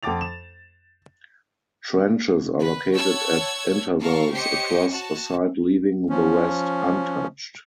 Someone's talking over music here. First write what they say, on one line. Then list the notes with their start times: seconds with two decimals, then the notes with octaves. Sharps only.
Trenches are located at intervals across a site leaving the rest untouched.
0.03 F2 F#5 G5 D6 A6 F7
0.21 E7
2.61 B4
2.94 C#5 F#5 A5 E6 G#6
4.00 A4 A#4 F5 C#6
4.33 G4 C5 C#5 D#5 C#7
4.90 F#4 A5
6.10 F3 C#4